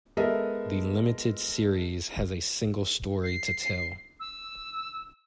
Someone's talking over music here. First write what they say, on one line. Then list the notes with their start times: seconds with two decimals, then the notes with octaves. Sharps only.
The limited series has a single story to tell.
0.17 G#3 B3 A4 A#4 D#5 E5
3.24 C7
4.20 E6